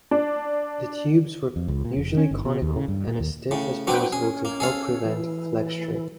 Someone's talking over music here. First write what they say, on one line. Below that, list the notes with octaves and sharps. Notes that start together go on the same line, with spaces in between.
The tubes were usually conical and as stiff as possible to help prevent flexure.
D4
F2
C#2
A#2
F1
C#4
G1
B2
D#2
C#3
G2
A#2
D#2
A2 C#3
F#3 C4 D4 B4 G5
C#4 G#4
A#3
G#4 A4 F5
E3